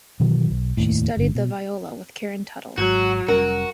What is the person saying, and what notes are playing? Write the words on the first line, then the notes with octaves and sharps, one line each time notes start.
She studied the viola with Karen Tuttle.
B2 D#3 E3 F#3
B1
F1 D#2 A2
G1 D3
B2
G#1 G#2 F#3 F#4
F1 G3 C#4 F#4 A#4